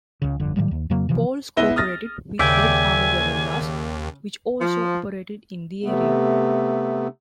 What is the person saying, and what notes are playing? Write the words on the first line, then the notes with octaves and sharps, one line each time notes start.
Poles cooperated with Red Army guerillas, which also operated in the area.
C#2 C#3
G1 F2 D3
A2 D#3 F#3 G3
D#2
F2 C#3 F#3 A#3
C3 E3 F3
C#2 B3 E4 A#6 D#7 G7
D#6 F6 A6 A#6
D#2 C#3 D5 E5 G5 G#5
F3
C3 A3 B3